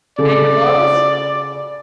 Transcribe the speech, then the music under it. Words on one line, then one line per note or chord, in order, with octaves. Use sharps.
"And your clothes?"
C#3 A4 D5